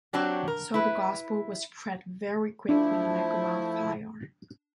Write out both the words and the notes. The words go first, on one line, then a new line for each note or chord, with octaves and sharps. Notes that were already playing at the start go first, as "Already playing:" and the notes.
So, the gospel was spread very quickly like a wild fire.
F#3 C4 D4 G4
A#4
E4 B4
F3 A3 D4 E4